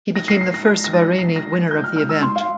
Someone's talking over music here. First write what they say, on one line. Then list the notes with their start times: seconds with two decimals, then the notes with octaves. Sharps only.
He became the first Bahraini winner of the event.
0.16 A#6
0.28 C7
0.41 C7
0.54 A#6
0.67 A#6
0.84 A#6
0.93 A6
1.02 A#6
1.19 C7
1.36 A#6
1.54 A#6
1.71 G6
1.84 F6
1.96 F6
2.09 E6
2.22 C6
2.36 F5